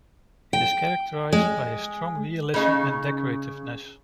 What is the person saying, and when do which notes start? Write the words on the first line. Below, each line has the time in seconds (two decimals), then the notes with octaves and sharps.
It is characterized by a strong realism and decorativeness.
0.53 G5
1.32 G#3
2.54 C#3 D#4